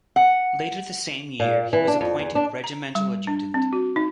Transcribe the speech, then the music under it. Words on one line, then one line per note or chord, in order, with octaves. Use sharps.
Later the same year he was appointed regimental adjutant.
F#5
A#2
E3
D4
F2
E2
D4
A#5
G3
D4
C4
F#4
D#4